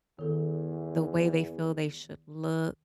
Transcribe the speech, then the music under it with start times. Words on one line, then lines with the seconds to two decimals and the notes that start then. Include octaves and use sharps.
the way they feel they should look,
0.19 E2 D#3 A4